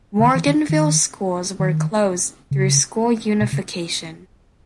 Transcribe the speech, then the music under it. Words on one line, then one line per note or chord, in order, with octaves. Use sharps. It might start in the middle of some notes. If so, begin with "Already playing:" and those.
Morganville schools were closed through school unification.
C#3
D#3
E3
D#3
D#3
D#3
C#3
B2
C#3